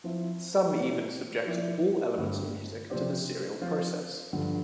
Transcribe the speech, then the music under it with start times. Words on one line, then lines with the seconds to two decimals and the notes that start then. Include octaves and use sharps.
Some even subjected all elements of music to the serial process.
0.04 F3 C4 E4
0.75 E3 A3 C4
1.46 F3 A#3 E4 A#4 D5
2.17 G2 D3 G3 C4
2.90 C3 F3 C4 G4 D5
3.61 F3 C4 F4 C5
4.33 G2 D3 F3